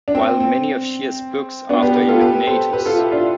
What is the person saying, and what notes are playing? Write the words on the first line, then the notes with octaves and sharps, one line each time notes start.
While many of Shea's books after Illuminatus!
D4
C4
C4
B3 D4
G4 B4
G4 B4
F4 A4
G4 B4
A4 C5
G4 B4
F4 A4
E4 G4
D4 F4